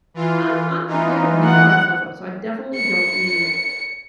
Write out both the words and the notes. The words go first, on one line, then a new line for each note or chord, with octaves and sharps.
I'm I'm good at beating myself up, so I definitely don't need
E3 F4
E3 D#4 F4
F#5
C#7